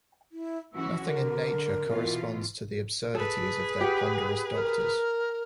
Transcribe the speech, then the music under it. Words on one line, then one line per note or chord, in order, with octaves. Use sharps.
Nothing in nature corresponds to the absurdities of their ponderous doctors.
E4
E3 C#4 F#4 E6
D3 A#4
B2 E3 F4
G#4 A4 B4
G4 F#5
A#4